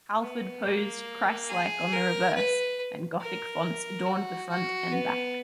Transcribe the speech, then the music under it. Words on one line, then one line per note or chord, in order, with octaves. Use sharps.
Halford posed Christ-like on the reverse, and Gothic fonts adorned the front and back.
B3
A#3
G#4
A#4
B4
A#4
F#4
F#4
B3